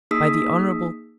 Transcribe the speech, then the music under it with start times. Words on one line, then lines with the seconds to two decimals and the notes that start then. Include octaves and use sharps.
By the Hon.
0.11 A#3 D#4 G#4 D#6 E6 B6